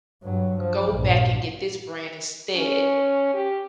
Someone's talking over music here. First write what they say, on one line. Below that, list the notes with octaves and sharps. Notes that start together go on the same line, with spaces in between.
go back and get this brand instead.
G2 F#3
F3
A#1 G2
C#4
G4